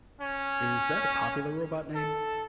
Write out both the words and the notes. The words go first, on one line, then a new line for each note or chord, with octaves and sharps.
Is that a popular robot name?
C#4
A4